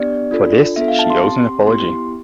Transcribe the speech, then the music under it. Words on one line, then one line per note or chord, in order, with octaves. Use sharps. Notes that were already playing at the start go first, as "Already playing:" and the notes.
For this she owes an apology.
Already playing: B3 D4 G4 D5
D4 F4 A4
B3 D4 F4 A4 E5
F5
A5
C6
C4 G4
B3 E4 G4 C6